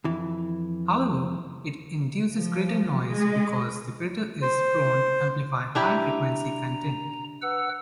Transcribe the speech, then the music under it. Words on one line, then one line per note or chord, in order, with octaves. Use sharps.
However, it induces greater noise because the filter is prone to amplify high-frequency content.
F2 E3
F3
G#3
C5
D4 E4 G4 A#5
B4 F#5 E6